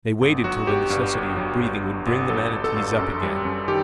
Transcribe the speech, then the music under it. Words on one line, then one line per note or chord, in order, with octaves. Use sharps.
They waited till the necessity of breathing would bring the manatees up again.
G1
F#3 F#4
G1 G4
G2
G1
F#3
G1
G2
G1
F#3 A4
G1
A4
G2
F#2
G3
F#2
D#3 G4